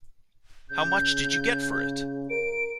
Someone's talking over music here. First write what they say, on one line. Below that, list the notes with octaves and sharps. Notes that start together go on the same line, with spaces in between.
How much did you get for it?
C#3 G6
A#4 D7